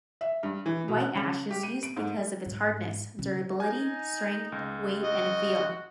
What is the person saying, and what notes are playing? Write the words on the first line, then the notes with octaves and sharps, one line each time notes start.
White ash is used because of its hardness, durability, strength, weight and feel.
E5
G2
E3
B2
F#6
C#3
G4
D#7
D7
G#2
G#2
C#3
D#4 G#5
C#2
F#4 D#5